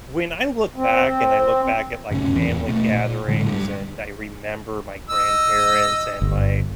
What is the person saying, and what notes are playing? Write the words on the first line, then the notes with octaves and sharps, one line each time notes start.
when I look back and I look back at, like, family gatherings, and I remember my grandparents and my
C4
D2 G2 C3 C#4
D1 E2 E3 C4
B2 A3
A#2
A2 D3 F#3 G#3
G2
D#5 E6
G1